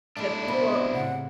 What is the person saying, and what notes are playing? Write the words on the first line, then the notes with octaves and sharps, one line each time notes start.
That people are
D#3 A3 D4 E4
C3 B3 B5
A2 C#3 F#5